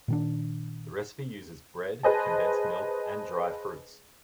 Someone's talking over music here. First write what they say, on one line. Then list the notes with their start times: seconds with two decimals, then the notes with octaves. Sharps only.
The recipe uses bread, condensed milk, and dry fruits.
0.08 A#2 D#3 D4
2.03 G#4 B4 C5 D#5 G#5 A5